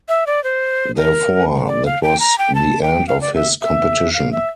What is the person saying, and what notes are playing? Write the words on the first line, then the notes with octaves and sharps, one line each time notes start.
Therefore, that was the end of his competition.
E5
D5
C5
A#4
D5
F5
G5
A#5
G5
A5
G5
F5
D5
E5
E5
F5
E5